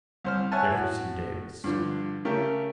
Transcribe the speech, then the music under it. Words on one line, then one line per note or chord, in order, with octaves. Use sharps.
"Jefferson Davis."
C2 C5 F6
C#5 E5 F#5 G#5 A5
A2 F#4
G2 D3 F3
C#3 A3 G4 A#4